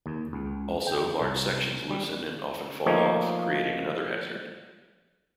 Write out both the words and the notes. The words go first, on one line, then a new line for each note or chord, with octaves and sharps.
Also, large sections loosen and often fall off, creating another hazard.
D#2
C#2
G5
C2
G3
F3 A3 A#3 D#4 C#5